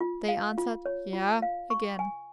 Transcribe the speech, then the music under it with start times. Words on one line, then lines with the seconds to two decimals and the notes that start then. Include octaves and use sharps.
They answered "yea" again.
0.01 F4
0.28 F5
0.58 F4
0.86 C#5
1.13 F4
1.42 F5
1.70 C#6
1.99 G#5